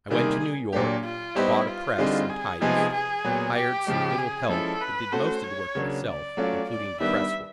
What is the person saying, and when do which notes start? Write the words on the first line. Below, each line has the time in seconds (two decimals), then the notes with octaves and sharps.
I went to New York, bought a press and types, hired some little help, but did most of the work myself, including the press-work.
0.10 C3 D#3 G3 A#3 G#4
0.73 A#2 F#3 A#3 D4 G4
1.04 F4
1.35 G3 B3 D#4 E4 G4 C5
1.67 F4
1.98 D3 G3 C4 D#4 G#4
2.29 G#4
2.61 C3 F3 G#3 B3 D#4 G#4
2.93 G#4
3.25 A#2 F#3 B3
3.55 G4
3.87 C#3 F3 G#3
4.18 G#4
4.49 F3 G#3 C#4 E4 A4
4.81 B4
5.12 A3 C#4 F#4 A4 C5
5.44 C#5
5.75 C#3 F#3 A#3 D4
6.06 D5
6.37 F#3 A3 C#4 F4
6.69 D5
7.00 D#3 G3 B3 D4 E5